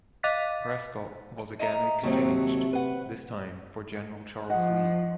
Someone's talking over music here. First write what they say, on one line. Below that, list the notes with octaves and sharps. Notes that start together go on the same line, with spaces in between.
Prescott was again exchanged, this time for General Charles Lee.
D#5 F5 D6 F#6 A6 B6
D#5 E5 A#5
D#2 C3 F#3 A3 C4
B4 F#5
F3 D#5 F#5 C#6